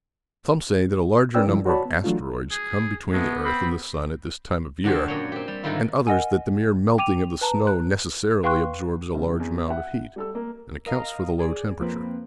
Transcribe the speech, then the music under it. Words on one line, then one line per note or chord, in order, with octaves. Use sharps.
Some say that a larger number of asteroids come between the earth and the sun at this time of year, and others that the mere melting of the snow necessarily absorbs a large amount of heat, and accounts for the low temperature.
C#4 A#4 B4 D5 G5 E6
C#2 F#2 F3 G#3 E4
F#4 C#5 D5 A5 B5
B3
E3 F#3 A3 D4 F4
G#4
G#3 A3 B3
C4 B5
D3 D4 F#4 G4 C5
F#2 A#2 C#5
C4 G4
G3
G#2 D3 D#3 G3 E4 F4
A#4 D#5 F#5 G#5
G5 D6 D#7 F7
B4 A5 A#5
F#6
B4 F5 G5 C6 C#6 F#6
F#1 C3
E2
E5 F#5
G3 A4 E6
A#3
A#4 D#5 F5 A#5
G#4 D5
F2 F3 A#3 C4 B4